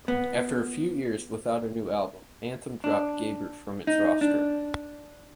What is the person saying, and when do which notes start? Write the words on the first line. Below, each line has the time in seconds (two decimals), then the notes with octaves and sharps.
After a few years without a new album, Anthem dropped Gabor from its roster.
0.08 B3
2.84 D4
3.87 D#4
4.21 D4